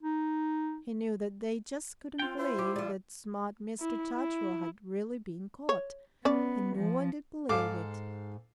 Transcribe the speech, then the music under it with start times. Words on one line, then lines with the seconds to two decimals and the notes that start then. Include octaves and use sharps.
He knew that they just couldn't believe that smart Mr. Chatterer had really been caught. And no one did believe it.
0.03 D#4
2.19 C4 F4 G5
2.37 E4 C5
2.58 G4
2.76 F3 D4
3.80 E4
4.16 E4
5.69 C#5
6.25 B3 C#4 D5
6.76 F3
7.49 G#2 A4 F5 D6